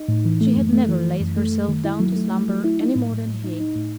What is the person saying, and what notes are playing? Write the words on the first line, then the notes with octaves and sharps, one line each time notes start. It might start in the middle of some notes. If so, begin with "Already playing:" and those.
She had never laid herself down to slumber any more than he.
Already playing: D#4
A2
E3
A3
F#2
A3
E3
E3
F#2
A3
A3
D#3
E4
F#3
A3
A3
F#3
E4
D#4
A2
A2
A2
D#4
D#4
A2